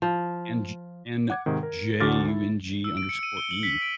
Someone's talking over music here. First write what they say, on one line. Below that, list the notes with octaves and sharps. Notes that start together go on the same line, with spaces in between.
N j N-J-U-N-G_E.
F3
F#5 D6 G#6
G#2 C3 D#3
A#4
D2 D3 F#4 D6 F6 A6
E4
E6
D7
C#7
D#7
G7
F#7
B6
D7